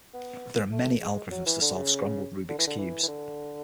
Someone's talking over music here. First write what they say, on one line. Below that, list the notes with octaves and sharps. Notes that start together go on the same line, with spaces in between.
There are many algorithms to solve scrambled Rubik's Cubes.
B3
A3
G#3
F#3
E3
D3
C#3
D3
E3
D3
E3
E3
D3